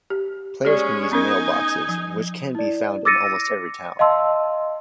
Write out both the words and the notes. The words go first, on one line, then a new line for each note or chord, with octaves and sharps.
Players can use mailboxes, which can be found in almost every town.
G4
G#3 C#4 G4 D5
B3 C#4 D#4 A#4 G#5
F3
E4 D5
D6 E6 A6 A#6 C#7 D#7
D#5 F5 A5 C6 E6